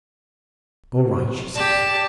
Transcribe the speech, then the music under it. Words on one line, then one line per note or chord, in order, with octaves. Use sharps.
"All right," she said.
G4 D5 A5